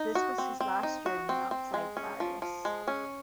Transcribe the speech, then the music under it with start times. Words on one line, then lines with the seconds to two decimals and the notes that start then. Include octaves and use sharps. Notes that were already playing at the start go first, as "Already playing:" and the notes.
This was his last journey outside Paris.
Already playing: D#4
0.15 F#4
0.38 C4
0.60 C4
0.83 D#4
1.06 F#4
1.29 C4
1.51 C4
1.74 G#3
1.97 C#4
2.20 F3
2.42 F3
2.65 G#3
2.88 C#4